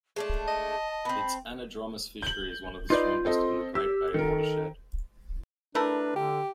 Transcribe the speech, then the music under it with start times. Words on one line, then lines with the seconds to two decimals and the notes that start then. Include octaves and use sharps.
Its anadromous fishery is one of the strongest in the Great Bay watershed.
0.16 G#3 A3 D4 A5
0.48 D#5
1.05 B3 C4 B5
2.22 G6 F#7
2.90 D#4 F4 B4 D5 C6 G6
3.25 C4 A4 D#5
3.75 G4 E6
4.14 D#3 A4 A#4
5.75 A3 D4 E4 A#4 B4
6.16 D3 G4